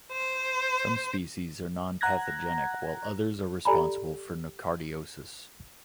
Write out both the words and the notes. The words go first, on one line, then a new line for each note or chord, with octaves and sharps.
Some species are nonpathogenic, while others are responsible for nocardiosis.
C5
F#5 A#5 F#6 G#6 A#6
G4 A4 D5 G#5 A#5 B5